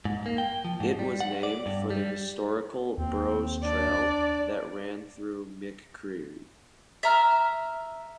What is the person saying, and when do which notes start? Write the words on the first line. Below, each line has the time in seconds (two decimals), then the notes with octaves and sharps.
It was named for the historical Burrows Trail that ran through McCreary.
0.05 G#2
0.26 A#3
0.38 G5
0.65 F3
0.80 G#2
0.99 G3
1.21 F#5
1.43 D5
1.66 G2
1.90 G3
2.98 D#2 C4
3.64 D4 D5
7.03 E5 A#5 F6